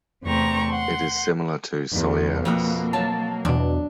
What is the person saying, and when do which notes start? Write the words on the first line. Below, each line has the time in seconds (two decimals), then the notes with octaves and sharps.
It is similar to Soleares.
0.24 E2 C3 A3 C4 A#5 C#6
0.72 F#5 C6
1.93 E2
2.45 F2 B2 A#3 F#5
2.93 F#3 A5
3.45 E2 B2 D4